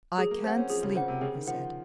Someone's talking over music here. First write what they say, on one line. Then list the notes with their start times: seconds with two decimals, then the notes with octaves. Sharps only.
"I can't sleep," he said.
0.18 F#3 G#4
0.31 A#3
0.43 C4 C5 F#5
0.57 C#4
0.70 F3 G#4
0.83 C#3
0.95 C#3 C5 F#5
1.08 C3
1.21 C#3 G#4
1.34 D#3
1.47 F3 C5 F#5